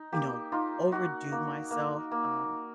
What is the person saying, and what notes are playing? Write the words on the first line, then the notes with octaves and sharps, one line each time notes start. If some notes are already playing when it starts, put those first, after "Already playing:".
you know, overdo myself, um,
Already playing: D#4
A#3 G4
D#4 F4
D#4 F#4
A#3
A#3
A#3